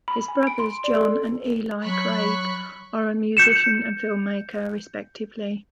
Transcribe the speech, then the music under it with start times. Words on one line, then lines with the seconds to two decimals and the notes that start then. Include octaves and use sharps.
His brothers, John and Eli Craig, are a musician and filmmaker respectively.
0.08 B5
0.28 G#5
0.47 D7
0.59 C6
0.84 D5
0.96 A4
1.83 F#3 B5 C#6 F#6
3.37 G6 C#7 E7